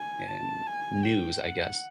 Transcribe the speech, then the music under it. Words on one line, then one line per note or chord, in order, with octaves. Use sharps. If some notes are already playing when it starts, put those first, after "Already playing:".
erm, news, I guess,
Already playing: G#5
A5
G#5
G5
F#5